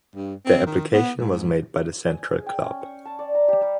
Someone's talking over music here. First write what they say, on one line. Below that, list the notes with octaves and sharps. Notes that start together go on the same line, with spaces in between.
The application was made by the Central club.
G2
C4
D#3
B3
G#2
G#5
G#4
G5
C#4
C#6
A5
D5
A#5
G4
G3